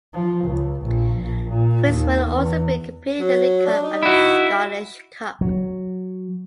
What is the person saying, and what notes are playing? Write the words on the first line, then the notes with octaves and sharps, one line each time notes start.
Queens will also be competing in the League Cup and the Scottish Cup.
F3
C#2
A#1
A#1
A#2
D#2
E2
F#3
D4
D#4
E4 F#4
F#3